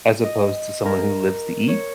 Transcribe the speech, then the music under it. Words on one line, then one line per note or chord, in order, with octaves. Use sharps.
as opposed to someone who lives to eat,
D#5
A#4
C#5